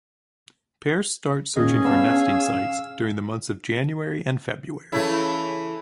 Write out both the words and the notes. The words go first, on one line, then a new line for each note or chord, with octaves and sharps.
Pairs start searching for nesting sites during the months of January and February.
A#2 D#3 C#4 G#4 D#5
B3 D4 F5 E6
C#3 E3 A3 E4